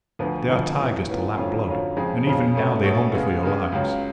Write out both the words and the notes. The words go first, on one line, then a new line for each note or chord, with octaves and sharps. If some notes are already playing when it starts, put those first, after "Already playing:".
They are tigers to lap blood, and even now they hunger for your lives.
D2 D3 F3 B3
D2 D3 F3 B3
A2 F#3 B3 F4
A2 F#3 B3 F4
F2 D3 F#3 C#4 F4
F2 D3 F#3 C#4 F4
F2 C#3 F3 G#3 C#4
F2 C#3 F3 G#3 C#4
B2 A3 C#4
B2 A3 C#4
C#3 G#3 B3
C#3 G#3 B3
C#2 C#3 F#3